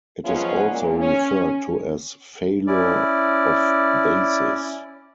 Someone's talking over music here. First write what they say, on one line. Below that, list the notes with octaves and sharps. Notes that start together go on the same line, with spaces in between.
It is also referred to as "failure of basis".
F3 F#3 G#3 B3 C#4 F4
A#2
C#4
C#4 E4 D5